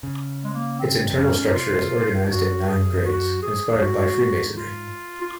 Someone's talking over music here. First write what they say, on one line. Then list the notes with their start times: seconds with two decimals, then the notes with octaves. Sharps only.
Its internal structure is organized in nine grades, inspired by Freemasonry.
0.03 C#3
0.44 G#3
0.54 A#3
0.79 C4
1.13 F2 C#4
1.23 F#2
1.33 G#2
1.45 A#2
1.54 C3 F4
2.30 F#2 F#4
2.68 G#4
3.06 F#4
3.42 G#4
3.75 F#2
3.80 G#2 F#4
4.56 F4
5.22 F4